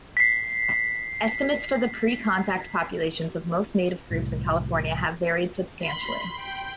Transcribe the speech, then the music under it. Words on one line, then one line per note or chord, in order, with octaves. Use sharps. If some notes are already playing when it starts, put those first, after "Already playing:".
Estimates for the pre-contact populations of most native groups in California have varied substantially.
B6 C7
C2 A2
B5 C6
G5